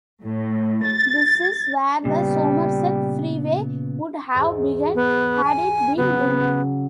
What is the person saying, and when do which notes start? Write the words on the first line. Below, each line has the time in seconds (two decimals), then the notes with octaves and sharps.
This is where the Somerset Freeway would have begun had it been built.
0.23 A2
0.86 A6
2.05 A#2 C#3 G3 B3
4.34 E2 G#2
4.95 B3
5.44 G#5
5.97 C#3 F#3 B3